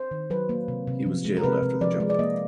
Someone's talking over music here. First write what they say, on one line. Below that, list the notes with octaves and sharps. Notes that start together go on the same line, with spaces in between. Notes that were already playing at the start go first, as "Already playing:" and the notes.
He was jailed after the jump.
Already playing: C5
D#3
F#3 B4
A#3
C3
C3
F3
G#3
A#4
C3 B4
C3
F3 D5
G#3
D5
A#3 D#5